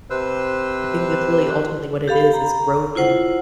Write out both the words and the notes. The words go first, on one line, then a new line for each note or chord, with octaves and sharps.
I think that's really ultimately what it is, is growth, and
C3 B4 C5 E6
G4 A4 F5 B5
A#5
E4 F4 C5 F#5